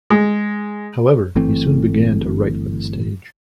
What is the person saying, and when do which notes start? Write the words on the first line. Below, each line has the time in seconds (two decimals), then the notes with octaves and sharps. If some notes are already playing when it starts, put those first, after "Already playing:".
However, he soon began to write for the stage.
0.10 G#3
1.36 G1 E3 A3 C4